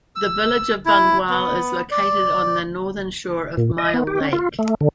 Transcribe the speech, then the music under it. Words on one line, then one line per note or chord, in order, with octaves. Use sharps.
The village of Bungwahl is located on the northern shore of Myall Lake.
E6
E4
B3
D5
A#2
D#5
B3
G4
C#4
F4
A3
D3